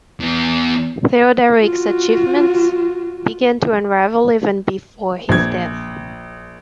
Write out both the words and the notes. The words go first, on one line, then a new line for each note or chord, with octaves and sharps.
Theoderic's achievements began to unravel even before his death.
E2 B3
F4 F#4
A#1 G#6